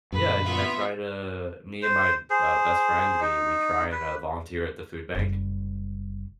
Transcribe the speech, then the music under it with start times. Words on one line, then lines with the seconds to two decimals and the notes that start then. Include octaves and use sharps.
Yeah, I I try to me and my, uh, best friend, we we try and, uh, volunteer at the food bank,
0.12 F#2 A#2 D3 B4
0.44 B3 F4 E5
1.82 C5
2.30 G#4 C5
3.20 D#4
3.92 B4
5.15 F#1 G3